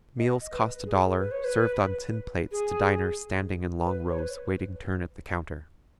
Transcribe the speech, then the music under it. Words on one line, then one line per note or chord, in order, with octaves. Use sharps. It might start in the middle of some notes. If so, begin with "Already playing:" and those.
Meals cost a dollar, served on tin plates to diners standing in long rows waiting turn at the counter.
D#5
B4
G#4
B4
C#5
B4
G#4
B4
C#5
B4